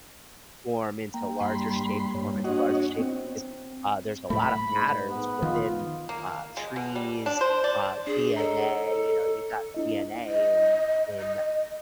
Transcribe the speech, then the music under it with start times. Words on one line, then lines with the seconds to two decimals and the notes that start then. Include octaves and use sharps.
form into larger shapes, form into larger shapes, because, uh, there's a lotta patterns within, uh, trees, uh, DNA, you know, you've got DNA in in,
1.14 A#3 G5 A#5
1.40 G2 B5 C6
2.14 G2 A#3 C#5
2.44 D4 F#4 C#5 D#5 F#5
2.98 C4
4.30 A2 A3 B5
4.70 G#2
5.10 B3
5.42 D#3 F4
6.09 A#3
6.57 G#3
6.76 B2
6.96 G3
7.26 D4
7.41 C5
7.64 D5
8.07 D4 G#4
8.37 A4 C#5 D#5 A#5
9.74 D4 E4 D#5
10.29 D#5
11.19 D#5